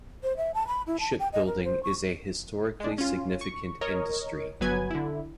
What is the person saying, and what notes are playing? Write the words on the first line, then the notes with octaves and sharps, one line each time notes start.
Shipbuilding is a historically significant industry.
C5
E5
A5
B5
E4
A5
G5
D#5
A#4
C5
C#6
G#3 D4
C#4 F4
C#6
A#4 C#5 D#5
G1 F#3 B3 B4 G#5 G#6
D3 E4